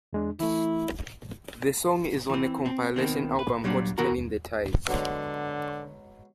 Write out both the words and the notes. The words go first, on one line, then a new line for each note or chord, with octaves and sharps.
The song is on a compilation album called "Turning the Tide".
E2 G#3 D4
E3 A3 E4
E3 C4
C4
B2 D#3 C4
B4
A#2 F#3 G3 C#4 D4
B2 E3 B3 F#4 A#4 A#5
B2 D3 F#3 G#3